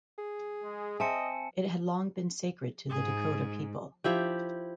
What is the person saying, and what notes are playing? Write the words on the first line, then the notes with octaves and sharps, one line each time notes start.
It had long been sacred to the Dakota people.
G#4
G#3
C4 D#5 E5 G#5 A5 C#7
G#2 G#4
F3 E4 G4